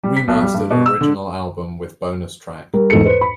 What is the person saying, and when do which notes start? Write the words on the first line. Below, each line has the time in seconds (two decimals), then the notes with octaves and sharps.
Remastered original album with bonus track.
0.03 G3
0.17 B6
0.28 B1
0.42 G3
0.54 G2
0.71 B2
0.86 E6
1.01 D3
2.74 G3 A#4
2.90 E2 G#2 A4 C#7
3.05 B4 C5
3.21 B5